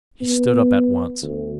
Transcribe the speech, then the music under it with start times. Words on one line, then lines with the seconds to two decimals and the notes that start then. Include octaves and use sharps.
He stood up at once.
0.22 B3
1.23 D2